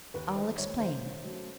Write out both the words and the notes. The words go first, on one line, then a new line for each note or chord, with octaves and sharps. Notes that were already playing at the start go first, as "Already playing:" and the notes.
I'll explain.
D#2 B4
D#3 G3 C5
D#2 C#5
D#3 G3 C5
D#3
F#3 A3 C#4 F#4